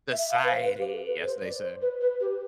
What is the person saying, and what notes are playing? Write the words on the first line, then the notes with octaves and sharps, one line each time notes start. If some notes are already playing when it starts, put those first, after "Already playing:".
"Society", as they say.
E5
F5
B4
C5
B4
G4
A4
B4
C5
D5
C5
B4
B4
G4